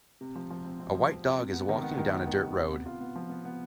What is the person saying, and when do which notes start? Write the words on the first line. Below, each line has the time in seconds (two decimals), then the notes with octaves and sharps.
A white dog is walking down a dirt road.
0.21 C3
0.35 F3
0.50 F3
0.65 C4
0.80 C4
0.95 F3
1.09 F3
1.24 C4
1.39 C3
1.53 B3
1.69 D#3
1.83 B3
1.98 D#3
2.13 B3
2.27 D#3
2.42 C3
2.56 C3
2.72 B3
2.86 F4
3.00 B3
3.16 F3
3.30 B3
3.45 B3